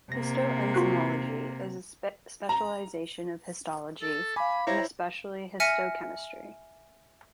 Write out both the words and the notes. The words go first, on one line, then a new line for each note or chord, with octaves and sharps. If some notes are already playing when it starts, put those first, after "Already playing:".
Histoenzymology is a specialization of histology and especially histochemistry.
C3 A#3 A#6
F4 F#4 F#6
A#5
A4
F5 G#5 B5 D6
E4 C5 C#5 A#5
E5 G#5 F6 A#6 C#7 D#7